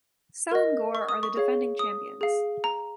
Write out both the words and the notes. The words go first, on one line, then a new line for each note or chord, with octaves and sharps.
Selangor are the defending champions.
A#4 D#5
C#6
D#6
C#6
G#4 C#5 F5
D#6
G#4 F5
A#5